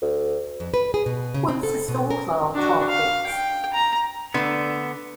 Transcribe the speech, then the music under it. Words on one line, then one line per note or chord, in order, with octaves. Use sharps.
Woods is the author of twelve books.
D2
F2
B4
G#4
B2
C#3
C4
A4
B2
A#4
D4 F#4
F5
G5
A#5
D3 A3 B3